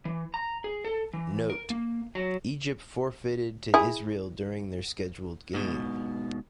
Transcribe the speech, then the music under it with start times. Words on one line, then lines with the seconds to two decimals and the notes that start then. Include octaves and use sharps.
"Note:" Egypt forfeited to Israel during their scheduled game.
0.05 E3
0.34 A#5
0.64 G#4
0.85 A4
1.13 E3
1.50 A#4
1.70 A#3
2.15 F#3
3.74 E4 G#4
5.54 G#2 B2